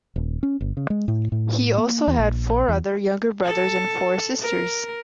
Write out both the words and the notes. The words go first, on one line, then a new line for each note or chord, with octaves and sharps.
He also had four other younger brothers and four sisters.
D#1
C#4
G1
C#3
G#3
A2
A2
A#3
E2
A#1
E2
A4
A#4